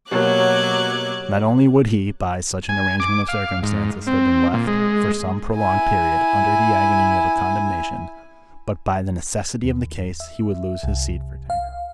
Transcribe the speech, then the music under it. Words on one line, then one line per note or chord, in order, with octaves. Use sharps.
Not only would he, by such an arrangement of circumstances, have been left for some prolonged period under the agony of a condemnation, but, by the necessity of the case, he would lose his seat for Tankerville.
B2 F#3 A#3 G4 C#5 D6 F#6 G#6
G#5
D6
F5
G#2
C4
A#2
G#3
E4 G#5
D#2
E5
C2
F5